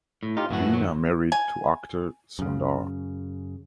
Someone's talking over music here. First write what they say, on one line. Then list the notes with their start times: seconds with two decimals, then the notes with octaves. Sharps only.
Veena married to actor Sundar.
0.23 A2
0.37 D#4 F4 G4
0.51 F#2 A2 E3 F#4
0.73 D#3 F#3
1.32 G#5
2.39 F#2 C#3